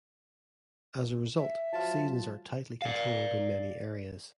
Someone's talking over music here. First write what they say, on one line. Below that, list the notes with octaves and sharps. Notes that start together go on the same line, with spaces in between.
As a result, seasons are tightly controlled in many areas.
E5
F3 F#3 F4 A5
D5 F5